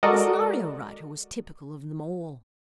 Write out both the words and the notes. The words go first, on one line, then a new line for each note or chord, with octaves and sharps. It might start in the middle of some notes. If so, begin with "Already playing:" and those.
The scenario writer was typical of them all.
G#3 F#4 A4 A#4 D5 D#5